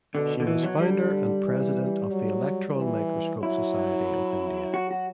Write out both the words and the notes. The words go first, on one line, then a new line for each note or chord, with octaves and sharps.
She was founder and president of the Electron Microscope Society of India.
B2 D3
D3
E3
F#3
D3 G3
E3
F#3
E3
F#3 E4
F#4
F#4